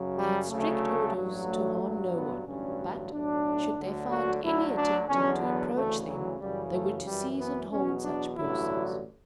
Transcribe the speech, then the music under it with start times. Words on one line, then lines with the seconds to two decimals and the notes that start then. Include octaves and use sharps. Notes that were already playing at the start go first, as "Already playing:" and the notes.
They had strict orders to harm no one; but, should they find any attempting to approach them, they were to seize and hold such persons.
Already playing: F#2 C#3 F#3
0.18 G3
0.50 D2 C#3 F#3 A3
1.16 A1 G2 F#3
1.48 A3
1.82 A1 G2 F#3
2.15 B3
2.47 A1 G2 D3 F#3 C#4
3.13 B1 A2 F#3 D4
3.78 D2 D3 F#3
4.11 F#4
4.44 D2 D3 F#3 E4
4.77 D4
5.09 E2 D3 F#3 C#4
5.43 B3
5.75 D2 C#3 E3 A3
6.07 F#3
6.40 F#2 C#3 E3 G3
6.72 A3
7.06 F#2 E3 G3
7.38 B3
7.71 E2 B2 F#3 C#4
8.04 D4
8.37 A1 G2 D3 F#3 E4